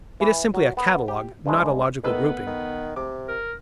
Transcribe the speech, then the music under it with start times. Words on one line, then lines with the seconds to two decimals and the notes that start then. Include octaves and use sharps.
It is simply a catalogue, not a logical grouping.
0.20 E3
0.54 F#3
0.77 B3
1.08 G4
1.46 G2 C3 G#3
2.03 D#3 A3 B3 B4 E6
2.47 D#3
2.96 C3 D6
3.28 A#4